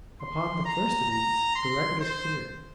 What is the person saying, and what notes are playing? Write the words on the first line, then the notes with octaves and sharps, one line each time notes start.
Upon the first of these, the record is clear.
C6
A#5
A#5
C6
C5